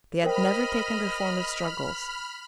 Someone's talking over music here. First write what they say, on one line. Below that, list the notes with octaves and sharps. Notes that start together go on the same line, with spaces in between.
They had never taken the form of struggles.
A#4 C5 D#5 G5 B5 F6